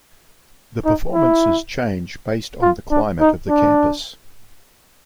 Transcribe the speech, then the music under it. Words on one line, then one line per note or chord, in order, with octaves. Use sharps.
The performances change based on the climate of the campus.
D#4
E4
F4
D4
D#4
D4